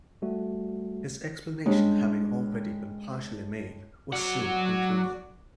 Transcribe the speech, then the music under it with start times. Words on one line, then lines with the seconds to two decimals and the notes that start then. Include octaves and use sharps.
His explanation having already been partially made, was soon concluded.
0.22 G3 A3 F#4
1.66 G3 G#3 C#4 D4
4.12 F#3 F#4 D5 F#5